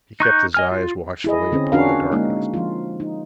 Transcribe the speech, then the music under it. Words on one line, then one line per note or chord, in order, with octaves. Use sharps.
He kept his eyes watchfully upon the darkness.
D#4 C#6 F#6 G6
D#5 G#5 F6
F4
E4 G#4 D#5
D3 C4 C#4
C#4 D4 F4 F#4 A#4 F5
G#3 A#3 D#4
F3 F4
D#4